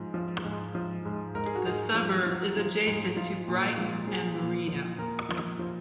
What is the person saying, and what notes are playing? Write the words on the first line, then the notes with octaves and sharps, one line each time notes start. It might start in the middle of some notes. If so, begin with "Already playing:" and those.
The suburb is adjacent to Brighton and Marino.
Already playing: G#2 F3
F3
G#2
F3
G#2
G#2 A#4
G#4
F#4
G#2 G#4
F3
F3
F3
G#2
F3 F4
A#2
F3
F3 G#4
A#2
F3
A#2 A#4
F3
F3